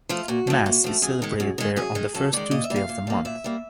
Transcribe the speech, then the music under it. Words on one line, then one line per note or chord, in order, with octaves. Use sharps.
Mass is celebrated there on the first Tuesday of the month.
F3 A3 F4
A#2 F#4
F3 A3
A#2
F3 A3
F#2 G#4
D#3 G#3
F#2
D#3 G#3
F#2 G#4
D#3 G#3
F#2 A4
D#3 G#3 D5
A#2 D#5
E5
G3 A#3
F5
A#2
G3 A#3
A#2 E5
G3 A#3